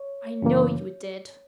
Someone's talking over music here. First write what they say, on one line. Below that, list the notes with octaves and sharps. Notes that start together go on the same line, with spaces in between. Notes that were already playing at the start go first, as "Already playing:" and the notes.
"I know you did."
Already playing: C#5
F#2 C#3 E3 A#3